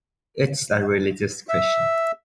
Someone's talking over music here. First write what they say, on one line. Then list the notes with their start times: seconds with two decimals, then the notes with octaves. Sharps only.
It's a religious question.
1.49 E5